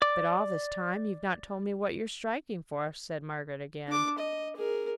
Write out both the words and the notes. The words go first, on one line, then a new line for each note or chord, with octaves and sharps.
'But all this time you've not told me what you're striking for,' said Margaret, again.
D5 D6
D4 D6
D#5
G#4 A#4